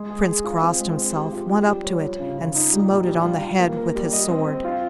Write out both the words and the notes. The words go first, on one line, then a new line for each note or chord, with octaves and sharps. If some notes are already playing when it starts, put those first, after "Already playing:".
The Prince crossed himself, went up to it, and smote it on the head with his sword.
Already playing: G#3
G#4
G#4
F4
C4
G#3
C4
G4
F3
G4
G3
C#5
F3
C#3
F3
D#4
G3
A#2
G3
F4
F4
A#3
A#4
G3
D#5
C4
C4
F4